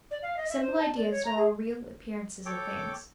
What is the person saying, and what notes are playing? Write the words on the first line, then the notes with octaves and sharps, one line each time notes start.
Simple Ideas are all real appearances of things.
D5
F5
D#5
E5
C5
A5
D5
C#5
A#5
G#4
A4 C#5 G5 D6